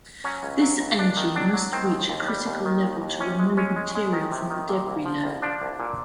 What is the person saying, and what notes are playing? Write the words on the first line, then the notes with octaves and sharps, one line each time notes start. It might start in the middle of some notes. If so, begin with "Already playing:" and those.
This energy must reach a critical level to remove material from the debris lobe.
F#3 C#4
C#2
F#3
C#2
C#2 D4
D#3
F#3 D4
F#3
D#3 C4
D#2
D#2
G3
D#2
D#3
D#2
D#2
C3 C#4
G#3
G#3 C#4
G#3
G#3
D#3
C3
D#3
A#2
C2
F3
C2
F3 D4
C2
A#2